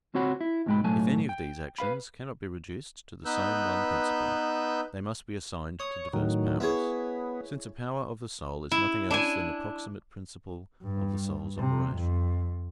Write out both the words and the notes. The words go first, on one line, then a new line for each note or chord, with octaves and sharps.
If any of these actions cannot be reduced to the same one principle, they must be assigned to diverse powers; since a power of the soul is nothing else than the proximate principle of the soul's operation.
C#2 C4 F#4 C#5 F#5 B5
E4
B1 G#2 G#3 G5 B5
B1 A2 F#3 A3 G#5 A5
G5
B4 F5 B5
B3 D#4 B4 E6 F#6 G6
C#5 D#6
A2 D#3 F#3
B3 E4 G#4 C#5
E4
D4 E4 G#5
G2
C3
F2